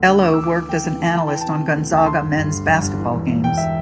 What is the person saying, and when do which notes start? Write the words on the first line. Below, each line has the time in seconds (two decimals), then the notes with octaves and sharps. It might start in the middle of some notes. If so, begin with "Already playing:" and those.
Ehlo worked as an analyst on Gonzaga men's basketball games.
Already playing: D2
0.08 D3
0.23 D2 D6
0.34 D2 E6
0.44 D6
0.53 E3
0.69 E3 G5
0.84 E3
1.00 D2
1.15 E3 A5
1.28 E3 G5
1.41 C3 A5
1.60 C3
1.76 D2
1.91 D2
1.97 A5
2.06 D3 C6
2.22 G1
2.37 G2
2.53 G1
2.67 G1
2.82 G2
2.98 E3
3.13 E1
3.28 E1
3.44 E1 G5
3.57 E5